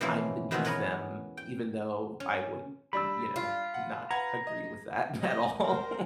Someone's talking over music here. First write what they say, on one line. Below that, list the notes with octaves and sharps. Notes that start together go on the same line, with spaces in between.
I'm beneath them, even though I would m you know, not agree with that at all.
B2 E3 F3 A#3 C4 C#4
E2 B2 D#3 C4 F#4 G#4
B3 C#4 A#4 B4 C#5
G5
C#4
G3 D4 B5 E6
F4
F#5
B4 F#5 A#5 G#6
D#5
D#5
A#4 C5